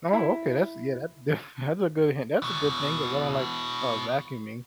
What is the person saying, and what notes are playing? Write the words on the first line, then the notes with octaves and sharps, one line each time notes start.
Oh, okay, that's yeah, that's def that's a good han that's a good thing 'cause I don't like, uh, vacuuming.
E4
B2 E3